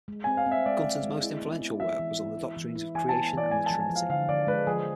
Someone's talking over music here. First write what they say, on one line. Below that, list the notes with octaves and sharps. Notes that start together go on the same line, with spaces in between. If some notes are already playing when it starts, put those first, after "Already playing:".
Gunton's most influential work was on the doctrines of Creation and the Trinity.
G#3
C4 G#5
F5
C4
E5
G#3 D5
G#3
G#3
E4
B3
E4
E3 E5
E3
E4
E4
E3
E4
E3 G#5
B3 A5
G#5
E3 D5
G#3 G#5
F3 A5
G#5
F3
F5
D3 F5
D3 D5
G#3 B4
F3 G#4